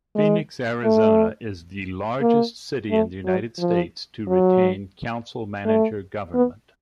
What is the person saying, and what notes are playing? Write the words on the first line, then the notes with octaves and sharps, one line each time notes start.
Phoenix, Arizona is the largest city in the United States to retain council-manager government.
G#3
A3
A#3
A3
F#3
F3
F#3
A3
B3